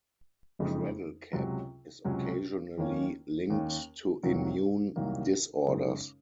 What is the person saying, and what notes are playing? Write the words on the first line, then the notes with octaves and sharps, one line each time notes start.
Cradle cap is occasionally linked to immune disorders.
F#1 F2 C#3 G#3 D#4
C#2 C3 F#3 C#4
C#2 C3 F#3 C#4
D#2 D#3 A#3 C#4
D#2 D#3 A#3 C#4
C2 C3 D#3 F#3 A#3
C2 C3 D#3 F#3 A#3
F#2 C#3 G#3 D#4